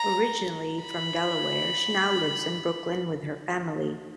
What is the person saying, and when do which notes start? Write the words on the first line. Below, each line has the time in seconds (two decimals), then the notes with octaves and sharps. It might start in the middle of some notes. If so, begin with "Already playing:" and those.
Originally from Delaware, she now lives in Brooklyn with her family.
Already playing: A#5
0.82 B5